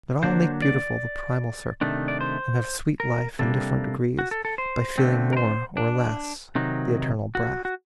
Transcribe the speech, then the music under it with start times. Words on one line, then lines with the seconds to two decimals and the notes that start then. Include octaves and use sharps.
But all make beautiful the primal circle, And have sweet life in different degrees, By feeling more or less the eternal breath.
0.23 D3 F#3 A#3 D4 C5
0.62 D5
1.81 C3 D#3 A3 D4
2.08 D5
2.21 C5
3.00 A#4
3.39 C3 G3 A#3 D4 A4
4.19 F#4
4.31 A4
4.45 A4
4.58 C5
4.98 D3 A3 C4
5.33 A#4
5.37 C5
5.77 D4
6.55 C3 D#3 F#3 D#4
7.35 F#4
7.65 F#4